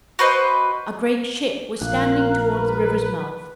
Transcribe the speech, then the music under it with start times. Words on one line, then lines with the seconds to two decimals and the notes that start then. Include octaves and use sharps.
A great ship was standing towards the river's mouth.
0.19 F#4 B4 C5 D#5
1.81 A#1 A#4 F5 F#6
2.50 B4